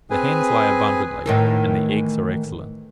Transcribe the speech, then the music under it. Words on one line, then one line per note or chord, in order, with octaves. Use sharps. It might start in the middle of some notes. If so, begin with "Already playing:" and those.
The hens lay abundantly, and the eggs are excellent.
C4 G#4 B4 G#5
A2 D#3 E3